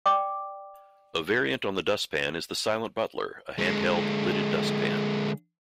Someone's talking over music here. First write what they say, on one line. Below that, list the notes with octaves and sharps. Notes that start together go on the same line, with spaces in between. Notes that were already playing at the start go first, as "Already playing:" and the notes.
A variant on the dustpan is the silent butler, a handheld, lidded dustpan.
D5 G5 D6
D3 G#3